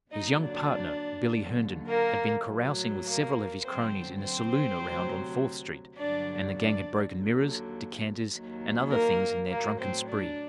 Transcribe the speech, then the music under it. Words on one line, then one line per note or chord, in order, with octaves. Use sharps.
His young partner, 'Billy' Herndon, had been carousing with several of his cronies in a saloon around on Fourth Street, and the gang had broken mirrors, decanters and other things in their drunken spree.
D#2 D3 F#3 D#4 D#5
D4 D5
D#2 D3 F#3
A#3 A#4
A2 F#3
A#3 A#4
F#2 D3 F#3 C4 C5
C4 C5
D2 C3 F#3
G2 D3 F#3 D4 D5
D4 D5
D#2 D3 F#3
D#2 D#3 F#3
A#3 A#4
A2 F#3 A#3 A#4
C4 C5
D4 D5